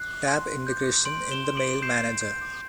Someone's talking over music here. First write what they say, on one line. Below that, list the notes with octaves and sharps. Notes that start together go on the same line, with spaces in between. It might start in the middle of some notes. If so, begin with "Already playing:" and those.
Tab Integration in the mail manager.
Already playing: F#6 C7
C6
G6
C6 D7 F#7
E7 G7
C6
D7 F#7
G6 C7 E7
G6